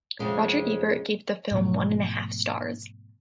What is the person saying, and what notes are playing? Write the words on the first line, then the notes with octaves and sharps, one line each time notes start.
Roger Ebert gave the film one and a half stars.
F2 C3 G#3 C#4
G#2 B2 F3 A3